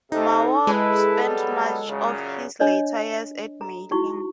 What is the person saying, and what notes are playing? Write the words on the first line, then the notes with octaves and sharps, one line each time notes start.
Mao spent much of his later years at Meiling.
C3 D#4 A4
G#3 E4 B4
F#3 G3 B3
F#2 A#2 C#3
D4 C#5 D#5
A4 A#5
D#4 E4 F#4 C#6